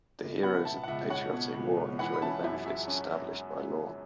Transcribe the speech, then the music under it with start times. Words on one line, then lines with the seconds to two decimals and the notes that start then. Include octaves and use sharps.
The Heroes of the Patriotic War enjoy the benefits established by law.
0.21 C#2
0.43 B3 F#5 B5
0.65 B2 E5 A5
0.84 F#5
0.87 C#2 E5
1.10 C#2 C#5 F#5
1.33 B2
1.54 C#2
1.77 C#2
1.99 E3 F#5 B5
2.14 B5
2.22 C#4 E5 A5
2.44 F#2 E5
2.66 F#2 E5
2.88 C#4